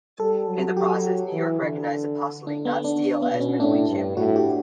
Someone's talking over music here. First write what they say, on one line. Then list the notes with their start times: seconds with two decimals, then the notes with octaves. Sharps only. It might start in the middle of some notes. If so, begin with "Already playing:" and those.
In the process, New York recognized Apostoli, not Steele as middleweight champion.
0.19 G3 A4
0.48 F#3
0.77 G4
0.95 F#4
1.33 E3
1.62 D3
2.47 D3 D4
2.65 B3
2.84 D4
3.22 B3
3.32 B2
3.40 C#4
3.60 A2 D4
3.89 G2
4.17 A2 F#4
4.36 G4